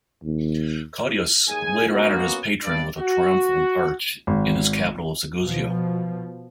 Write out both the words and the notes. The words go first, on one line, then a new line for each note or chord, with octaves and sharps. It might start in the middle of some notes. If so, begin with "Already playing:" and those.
Cottius later honored his patron with a triumphal arch in his capital of Segusio.
D#2
D#2 G#4 G#5
F#3 A#3 B3 C#4 F#4
G2 D5
F#4
G#1
B2 F3